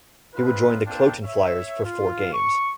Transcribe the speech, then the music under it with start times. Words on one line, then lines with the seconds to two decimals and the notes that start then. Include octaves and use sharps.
He would join the Kloten Flyers for four games.
0.35 C4 D#4 F4 B4
0.86 A#3 C4 D4 F4 G5
1.24 C#5 E5
1.85 F4
2.33 C#6